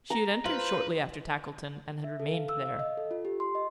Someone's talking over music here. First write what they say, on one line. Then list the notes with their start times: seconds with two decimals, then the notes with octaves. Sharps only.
She had entered shortly after Tackleton, and had remained there.
0.10 A#5
0.45 F4 B4 C5
2.04 E5
2.20 A4
2.34 F5
2.49 E6
2.66 F5
2.79 D#5
2.97 A4
3.11 F4
3.25 G4
3.40 C6
3.55 D#5